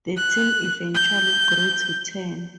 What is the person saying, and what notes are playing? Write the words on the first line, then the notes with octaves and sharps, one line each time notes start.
The team eventually grew to ten.
F#6
G6